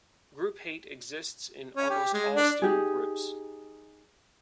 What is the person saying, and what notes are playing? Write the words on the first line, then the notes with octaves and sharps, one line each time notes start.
Group hate exists in almost all student groups.
C#4
G4
G#3
D4
D#4 G4 G#4